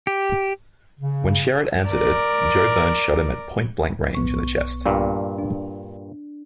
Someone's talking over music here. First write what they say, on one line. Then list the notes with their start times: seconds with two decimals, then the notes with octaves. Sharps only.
When Sherritt answered it, Joe Byrne shot him at point-blank range in the chest.
0.07 G4
1.00 C#3
1.88 A#4 D5
4.15 B1 B3 C#6
4.86 G2 A#2
5.38 D4